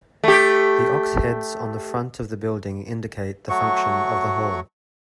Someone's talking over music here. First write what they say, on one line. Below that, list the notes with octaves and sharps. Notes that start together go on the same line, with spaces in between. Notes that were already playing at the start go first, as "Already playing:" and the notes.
The ox-heads on the front of the building indicate the function of the hall.
A3 G4
F#3 A3 F#4 C#6